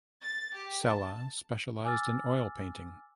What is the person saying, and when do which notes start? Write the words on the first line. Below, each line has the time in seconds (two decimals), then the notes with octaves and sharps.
Sella specialized in oil painting.
0.20 A6
0.54 G4
0.83 A5
1.84 G#5 D6 E6 F6 A6